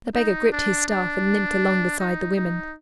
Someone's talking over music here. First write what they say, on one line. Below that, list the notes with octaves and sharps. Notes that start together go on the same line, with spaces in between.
The beggar gripped his staff and limped along beside the women.
D#4
D4
D4
D#4
D#4